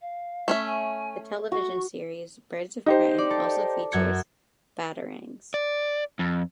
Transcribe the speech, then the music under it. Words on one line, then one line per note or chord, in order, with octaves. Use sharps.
The television series "Birds of Prey" also features batarangs.
F5
A3 C#4 E5
G#5
F#4 C#6
D#4 G4 C5
D5
A4
F#2 G#6 C#7
D5
F2